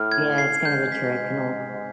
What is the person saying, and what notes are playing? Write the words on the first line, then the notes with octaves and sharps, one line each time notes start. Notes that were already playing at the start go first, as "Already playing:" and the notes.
Yeah, it's kind of a trick, an old
Already playing: A2 F6
G#6
C7
G#2 G6
B6